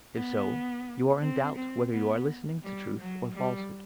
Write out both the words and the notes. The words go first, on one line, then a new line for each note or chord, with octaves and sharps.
If so, you are in doubt whether you are listening to truth or falsehood.
B3
C4
C4
B3
G3
F#3
G3